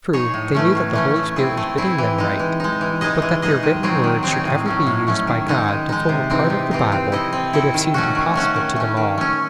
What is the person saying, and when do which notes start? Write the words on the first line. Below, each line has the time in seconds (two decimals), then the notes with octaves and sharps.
True, they knew that the Holy Spirit was bidding them write, but that their written words should ever be used by God to form a part of the Bible would have seemed impossible to them all.
0.13 D#4 G#4 C#5
0.34 A2
0.55 E3 A3 C#4
0.75 A2
0.93 E3 A3 C#4
1.16 A3
1.36 C4 E4 G#4
1.57 A3
1.77 C4 E4 G#4
1.98 E3
2.18 G#3 D#4
2.39 E3
2.60 G#3 D#4
2.81 E3
3.01 G#3 D#4 G#4 D#5
3.22 E3
3.42 G#3 D#4 G#4 D#5
3.63 D#3
3.83 F#3 C4 D#4 G#4
4.03 D#3
4.23 F#3 C4 D#4 G#4
4.45 A2
4.66 F#3 A3 C#4
4.87 A2
5.07 F#3 A3 C#4
5.27 D#3
5.48 G#3 D#4
5.68 D#3
5.89 G#3 D#4
6.09 C3
6.30 E3 C4 D#4
6.50 C3
6.71 E3 C4 D#4
6.92 C4
7.12 E4 A4 D#5
7.33 C4
7.53 E4 A4 D#5
7.74 D#3
7.94 A3 C#4 F#4
8.15 D#3
8.35 A3 C#4 F#4
8.56 D#3
8.76 A3 C#4
8.97 D#3
9.18 A3 C#4